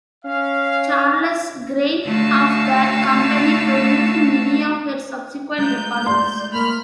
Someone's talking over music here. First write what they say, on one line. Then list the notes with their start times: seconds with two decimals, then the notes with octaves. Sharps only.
Charles Grean of that company produced many of her subsequent recordings.
0.25 C#4 F5
2.05 D3 A3 F#4 F5 A5 E6
5.58 G#3 A3 F4 A#5 G6
6.06 D5 C6
6.52 A#3 B5 F6